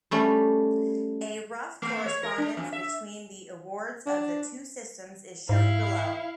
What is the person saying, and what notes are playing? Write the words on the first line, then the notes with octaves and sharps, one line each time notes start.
A rough correspondence between the awards of the two systems is shown below.
G3 A3 C#4 B5
A3
C#5
A#4
D4
F2
E5
D4
G#2 E4 F5